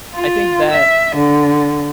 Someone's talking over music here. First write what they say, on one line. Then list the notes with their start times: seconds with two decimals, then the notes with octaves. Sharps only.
I think that,
0.14 F4
0.70 E5
1.15 D3